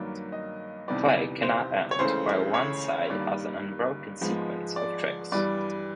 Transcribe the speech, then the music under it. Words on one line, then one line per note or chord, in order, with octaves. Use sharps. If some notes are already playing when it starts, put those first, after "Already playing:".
Play cannot end while one side has an unbroken sequence of tricks.
Already playing: G2 D#3 F#3 A#3 D5
D#5
E2 C3 D#3 G3 B3 D5
C5
C#5
C#2 C#3 E3 A3 C5
C#5
G2 D#3 G3 A#3 D5
G#2 F3 G#3 B3
D5
G2 E3 G3 D5